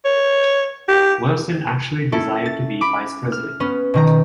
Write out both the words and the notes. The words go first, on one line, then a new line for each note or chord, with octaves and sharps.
Wilson actually desired to be Vice President.
C#5
G4
C#4 E4 A4
A6
B5 D6
F6
B3 C#4
B2 D#3 A#5